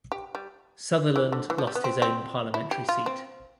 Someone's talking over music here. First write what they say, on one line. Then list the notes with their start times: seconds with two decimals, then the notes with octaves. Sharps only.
Sutherland lost his own parliamentary seat.
0.12 G4
0.35 G3
1.16 E3
1.32 D3
1.50 E3
1.58 F3
1.67 G3
1.75 B3
1.84 C4
2.02 C4
2.54 E4
2.71 G4
2.89 F4
3.06 C4